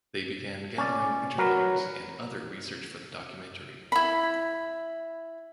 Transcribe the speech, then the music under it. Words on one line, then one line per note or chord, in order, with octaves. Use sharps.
They began gathering interviews and other research for the documentary.
C#4 D5
F#3 A#4 B4
E4 B5